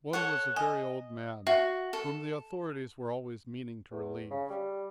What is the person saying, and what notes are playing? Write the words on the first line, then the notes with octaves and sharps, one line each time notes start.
One was a very old man, whom the authorities were always meaning to relieve.
A4 C#5 F#5
D#5 G#5
F#4 E5
A4
E2
C#3
G3